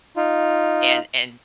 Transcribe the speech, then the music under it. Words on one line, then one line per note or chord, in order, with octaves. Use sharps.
and and
D#4 F4